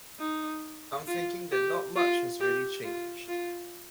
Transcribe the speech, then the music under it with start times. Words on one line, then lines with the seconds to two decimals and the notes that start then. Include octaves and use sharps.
I'm thinking that not much has really changed.
0.19 D#4
1.07 F4
1.52 G4
1.96 F4
2.40 G4
2.84 F4
3.28 F4